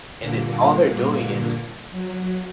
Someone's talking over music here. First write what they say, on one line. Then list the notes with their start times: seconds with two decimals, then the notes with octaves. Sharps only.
and it all they're doing is
0.19 G2 A#2 D3 A#3
1.92 F#3